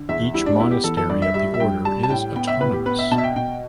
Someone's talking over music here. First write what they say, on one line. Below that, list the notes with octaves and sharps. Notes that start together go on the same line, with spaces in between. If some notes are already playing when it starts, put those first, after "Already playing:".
Each monastery of the order is autonomous.
Already playing: D3
E2 E5
G3 E4
D4
B3 E4
G4
E3 A4
A4
G2 D5
E5
G3 E5
E5
G2 G5
G3 A5
A5
A2 G5
B3 G5
E5
A2 B4
G4
B3 B4
E5
B2 A5
E5
G5
B2 G5